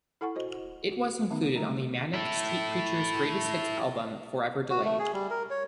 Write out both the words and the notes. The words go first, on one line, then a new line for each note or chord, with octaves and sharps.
It was included on the Manic Street Preachers' Greatest Hits album, "Forever Delayed".
E4 A4 F#5 G#5 C#6
F#4 C5 D#5
F#4
D#3 A3 B3 D#4
D3 G3 A3 A#5
E4 A4
F#4
A3
G#4
G3
A#4
C#5